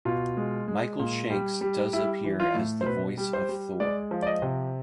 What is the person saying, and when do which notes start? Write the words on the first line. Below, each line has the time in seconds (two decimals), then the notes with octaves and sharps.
Michael Shanks does appear as the voice of Thor.
0.05 B2 F4
0.37 G#3
0.68 G#3
1.00 A#2
1.30 G3
1.61 G3
1.93 G3 E4
2.24 E3
2.40 F4
2.55 A2
2.81 C5
2.86 B2 B4
3.17 G3
3.33 C5
3.49 G3
3.80 G#3 D5
4.11 F3
4.22 D5
4.26 D#5
4.42 C3